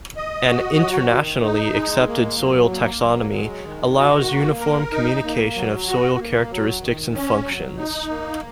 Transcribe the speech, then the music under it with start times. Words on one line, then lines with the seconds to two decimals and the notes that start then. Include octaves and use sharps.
An internationally accepted soil taxonomy allows uniform communication of soil characteristics and functions.
0.16 D#5
0.47 F#4
0.79 F#3
1.11 D#3
1.43 D#4
1.75 G#3
2.07 A#3
2.38 F#3
2.71 A#3
3.02 F#3
3.34 G#3
3.65 D#3
3.97 F#4
4.29 A#3
4.60 A#4
4.92 D#4
5.24 A#3
5.55 F#3
5.87 F#4
6.19 A#3
6.51 F#3
6.82 D#3
7.14 C#4
7.46 F#3
7.77 D#4
8.10 A#3